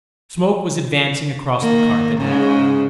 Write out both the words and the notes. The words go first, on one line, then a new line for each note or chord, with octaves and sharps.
Smoke was advancing across the carpet.
D#3 A#3
G#2 C#3